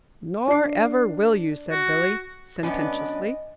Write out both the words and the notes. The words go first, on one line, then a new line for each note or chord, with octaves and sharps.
"Nor ever will you," said Billy, sententiously.
D4 C7
F#4
F#2 B3 C#4 D4 B4 D5 D#5